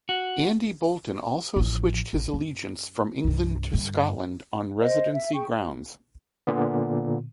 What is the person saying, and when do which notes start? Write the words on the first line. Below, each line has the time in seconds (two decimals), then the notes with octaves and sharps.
Andy Boulton also switched his allegiance from England to Scotland on residency grounds.
0.09 F#4
1.56 A1 F3
2.13 A1
2.34 F#2
3.24 C2 G2
3.74 G2 D3
4.80 C5 D#5
5.12 E5
5.34 G#4 G5 C#6
6.47 A#2 D3 B3